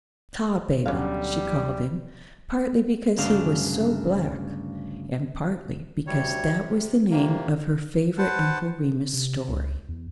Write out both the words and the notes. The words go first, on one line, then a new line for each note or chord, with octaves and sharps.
"Tarbaby" she called him, partly because he was so black, and partly because that was the name of her favourite Uncle Remus story.
D2 B2 D3 F#3 G3 C#4 D5 F5
D2 G2 C#3 F#3 D4 F5
D2 G3 C#5
C3
F2 C3 A#3
B4 C5 F#5 A5
C3
C#2
E2